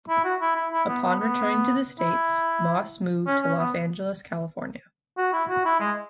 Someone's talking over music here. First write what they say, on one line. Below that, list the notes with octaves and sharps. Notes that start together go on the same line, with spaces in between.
Upon returning to the States, Moss moved to Los Angeles, California.
E4
F#4
E4
E4
E4
B3
B3
B3
E4
C#4
C#4
B3
F#4
E4
F#4
E4
G#3